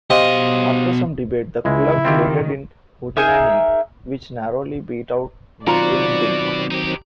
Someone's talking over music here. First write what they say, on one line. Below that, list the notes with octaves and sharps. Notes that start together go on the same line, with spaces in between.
After some debate the club voted in "hootenanny", which narrowly beat out "wingding".
B2 G4 C5 D#5 F5 C6
C#2 C#3 G#3 A3 E4 F#4
D#3 C4 F4 G4 G#4 A5 C#6
D#4 G#4 A#4 E5
B2 D#3 F#3 C4 F4 F#4 D5 A#5
D#4 G4